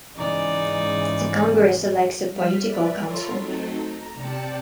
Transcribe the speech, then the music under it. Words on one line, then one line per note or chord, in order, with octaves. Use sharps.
The congress elects a Political Council.
G#2 C#3 E3 D#4 D5
G3 F6 B6
B4 D5 E5
F4 A4 A#4 C#5 B5 C6
F#3 A3 C4 D#4 A4
A#5
C3 D5 G5 A5 C#7